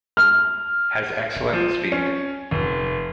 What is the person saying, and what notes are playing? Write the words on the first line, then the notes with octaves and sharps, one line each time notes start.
Has excellent speed.
F6
F3
C#4
F1